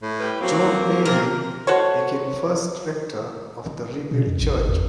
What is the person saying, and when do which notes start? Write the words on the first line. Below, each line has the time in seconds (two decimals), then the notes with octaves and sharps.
John Heylyn became first rector of the rebuilt church.
0.02 A2
0.20 G3 G4 B4
0.41 F3 F#3 A#3 C4
1.05 C3 A#4
1.67 F#4 A4 C5 C#5
4.11 B2
4.27 F2
4.41 A1
4.57 G1
4.69 E2